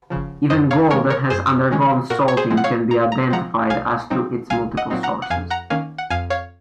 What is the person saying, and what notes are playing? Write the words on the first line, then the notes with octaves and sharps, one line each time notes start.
Even gold that has undergone salting can be identified as to its multiple sources.
C#3 F3
F#2 C5 D#5
C#5 F5
D#3 G#3 C#4 A#4 C#5
A#4 C#5
F#2 G#4 C5
D#3 G#3 C#4
A#2 F#4 A#4
C#5
G#4 C5
F3 G#3 C4
F#5
C#5 F5
A#2 A#5
A#5
F3 G#3 C4 F#5 A#5
C2 F5 G#5
A#2 F#3 C4 D#4
C2 F5 G#5
D#5 F#5
A#2 F#3 C4 D#4
F#5 A#5
F#5
F2 F5 G#5
F#5 A#5
D#3 A#3 C#4 F5 G#5
F#5
F2 F5 G#5
C#5 F5